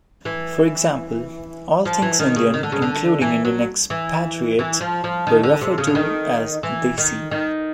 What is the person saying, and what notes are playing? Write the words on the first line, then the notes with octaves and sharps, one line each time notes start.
For example, all things Indian including Indian expatriates were referred to as "desi".
E3
F3
E3
D#3
C#3
D#3
D3
C#3
D3
E3
F#3
E3
E3
F3
F3
D#3
D3
C3
C#3
D3
D#3
E3
D#3
D#3